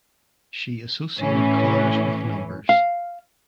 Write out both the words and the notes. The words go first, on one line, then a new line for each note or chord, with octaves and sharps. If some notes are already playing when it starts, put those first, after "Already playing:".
She associated colours with numbers.
A2 E3 C#4
F5